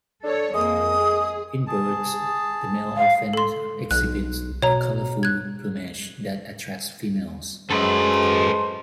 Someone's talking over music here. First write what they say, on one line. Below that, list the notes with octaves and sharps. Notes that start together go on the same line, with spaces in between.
In birds, the male often exhibits a colorful plumage that attracts females.
D4 A4 C#5
F2 G#3 A#3 D#6
G#4
G#4 A5
F5
A4 C6
B1 F#6
B2 C#5 A#5
F#6 G#6
F#2 G#3 A4 B4 C5